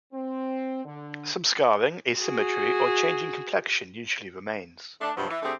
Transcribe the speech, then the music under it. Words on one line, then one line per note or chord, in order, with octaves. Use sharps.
Some scarring, asymmetry or change in complexion usually remains.
C4
D3
F#4 G#4
A3 D4
G2 C3 F3 F#3
E3
D3 A3 C4 G4 G#4